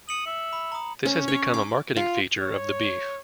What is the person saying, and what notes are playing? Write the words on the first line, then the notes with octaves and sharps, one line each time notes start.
This has become a marketing feature of the beef.
D#6 C#7 F#7
E5
B5
A#5 D#6
C#4
C#5
D6
F4
C#5